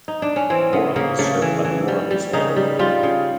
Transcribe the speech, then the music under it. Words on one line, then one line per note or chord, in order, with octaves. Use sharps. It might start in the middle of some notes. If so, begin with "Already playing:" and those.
Mora is served by the Mora Municipal Airport.
D#4
D4
C#4
E3 C4
C#3 B3
C#3 A#3
C#3 A3
E3
E3
G3
G3
C#3 D#4
G3
G3 F4
C#3